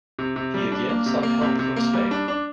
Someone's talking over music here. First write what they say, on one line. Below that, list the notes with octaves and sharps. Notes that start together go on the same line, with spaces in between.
He again sought help from Spain.
C3
C3
G3
D4
A#3
C3
A#3
C3
C3
A#3
G3
D4
D4